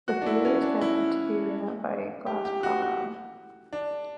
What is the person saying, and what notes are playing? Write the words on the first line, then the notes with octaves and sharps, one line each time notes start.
The Theater is connected to the Arena by a glass promenade.
F#4
D4
E4
C#4
D4
E4
G4
G4
F#4
F#4
D4